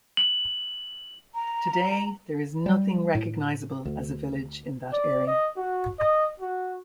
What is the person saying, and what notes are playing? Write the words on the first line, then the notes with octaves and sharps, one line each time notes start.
Today there is nothing recognizable as a village in that area.
F#7
A#5
G3
A2
D2
D5
D#5
F#4
D#5
F#4